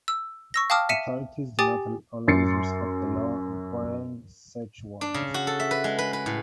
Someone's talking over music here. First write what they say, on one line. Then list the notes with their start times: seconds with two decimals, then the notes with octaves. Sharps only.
Authorities do not always respect the law requiring search warrants.
0.08 E6
0.54 C#6 E6 A#6
0.70 F5 G5 A5 D6 D#6 F6
0.89 E5 B6 C#7 D#7 E7
1.59 G4 G5 G#5 D6 D#6 A6
2.28 F#2 C6 A6 C7 C#7
5.01 D4
5.14 C#3
5.34 F#4
5.47 A4
5.60 E5
5.71 B4
5.84 G#3
5.99 B4
6.13 B4
6.26 A2